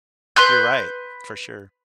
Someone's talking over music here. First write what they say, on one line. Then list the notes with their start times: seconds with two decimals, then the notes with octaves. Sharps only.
you're right. For sure.
0.36 B4 C6 F#6 G6